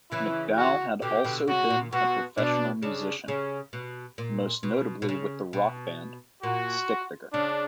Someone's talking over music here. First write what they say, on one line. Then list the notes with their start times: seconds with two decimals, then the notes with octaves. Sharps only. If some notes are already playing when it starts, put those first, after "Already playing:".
McDowell has also been a professional musician, most notably with the rock band, Stickfigure.
0.12 C#3 E3 E4
0.57 F#4
1.02 B2 D3 G4
1.24 B2 D3
1.47 C#3 F#4
1.70 A#2
1.92 B2 F#4
2.37 B2 D4
2.83 C#3 D4
3.28 C#3 C#4
3.73 B2
4.18 A#2
4.63 B2
5.02 B2
5.09 C#3
5.53 B2
6.43 A#2 F#4
7.34 C#3 D4